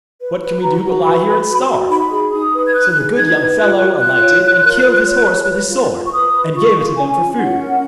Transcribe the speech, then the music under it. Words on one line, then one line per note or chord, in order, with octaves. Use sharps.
What can we do, but lie here and starve?' So the good young fellow alighted and killed his horse with his sword, and gave it to them for food.
B4
B4
F#4 A#5
F#4
B4 B5
B4
F#4
F#4
D#4 B5
G#4
D#4 D#6
B4
G#6
D#4 F#6
G#4
D#4 G#6
B4
F4 F#6
A#4
F4 F#6
C#5
F4
A#4
F4
C#5
B4
B4
F4
F4
C#6
B4 D#6
B4
F4 C#6
F4
C#4 G#5
F4
C#4 F#5
A#4